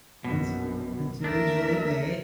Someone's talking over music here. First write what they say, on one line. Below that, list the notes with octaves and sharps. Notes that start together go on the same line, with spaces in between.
and s I do enjoy that.
A#1 F#2 B2
D#2 D3 A3 D4 A#4 E5